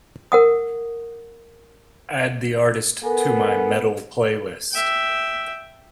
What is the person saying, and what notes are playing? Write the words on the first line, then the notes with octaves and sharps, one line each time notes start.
Add the artist to my Metal playlist.
A#4 F#5 D#6
B3 A4 A#4 G#5
E5 G5